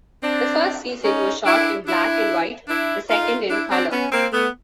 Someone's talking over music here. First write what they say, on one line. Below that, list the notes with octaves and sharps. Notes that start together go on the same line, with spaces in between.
The first season was shot in black and white, the second in color.
C4 D4
C#4 D#4
D4 E4
D4 E4
D4 E4
D#4 F4
D4 E4
C4 D4
B3 C#4
A#3 C4
A3 B3